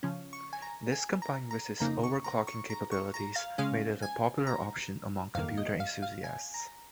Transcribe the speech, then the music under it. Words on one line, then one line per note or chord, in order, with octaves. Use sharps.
This combined with its overclocking capabilities made it a popular option among computer enthusiasts.
C#3 F3 C#4
C#6
G#5
A#5
G#5
A#5
A#5
F2 C#3 A#3 D#4 A#5
C#6
A#5
C#6
A#5
C#6
A#5
F5
C#3 G#3 C#4 F5
G#5
A#5
F2 D#3 A#3 F5
D#5
F5
F5
G#5
A#5